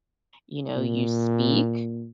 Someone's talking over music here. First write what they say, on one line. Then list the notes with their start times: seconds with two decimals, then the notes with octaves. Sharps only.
you know, you speak
0.76 A#2